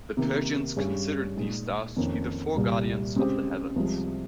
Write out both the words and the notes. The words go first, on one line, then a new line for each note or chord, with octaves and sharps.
The Persians considered these stars to be the four guardians of the heavens.
C3 D#3 A#3
G2 G3 C#4 G#4 C#5
A#2 G#3 D#4
F2 D#3 A#3 C#4
C2 A#2 G3
C#3 G#3 C4 G4 C5
C2 C3 F3 G#3